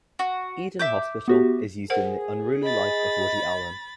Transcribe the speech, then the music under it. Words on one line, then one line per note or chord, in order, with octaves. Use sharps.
Eden Hospital"" is used in "The Unruly Life of Woody Allen".
F#4
E5 D6 G6
B3 F#4 G4
G#4 A#4 C5 F#5
D#5 B5 A6